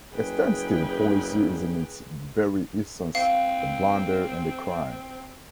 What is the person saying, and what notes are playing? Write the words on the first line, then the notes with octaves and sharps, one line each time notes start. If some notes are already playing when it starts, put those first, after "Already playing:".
A standstill policy is in its very essence a blunder and a crime.
F#1 G#4 B4 G5
C4 F5